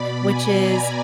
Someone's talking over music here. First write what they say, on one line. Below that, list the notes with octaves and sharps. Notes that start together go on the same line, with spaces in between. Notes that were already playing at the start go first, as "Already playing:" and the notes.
which is
Already playing: B2 D5 B5
G#5
A#5